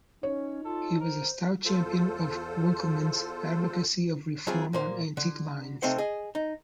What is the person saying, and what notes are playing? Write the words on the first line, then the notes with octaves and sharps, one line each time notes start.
He was a stout champion of Winckelmann's advocacy of reform on antique lines.
C#4 D#4 C#5
F4 A4
A#4 C5
E2 F4 A4 C5
F#3 C4 E4 F4 G#4
A#2 A#3 C5
D3
C3 A3 C4 D#4 C5 F#5
G#4 D#5
D#4